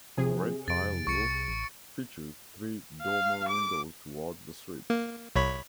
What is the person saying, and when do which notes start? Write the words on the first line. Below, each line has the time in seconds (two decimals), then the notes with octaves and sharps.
The red tile roof features three dormer windows towards the street.
0.17 C3 F3 G#4
0.68 F2 A6 D7
1.07 C2 C#6 C#7
1.48 A1
3.02 F5
3.49 D6
4.90 A#3
5.36 C2 C#5 B5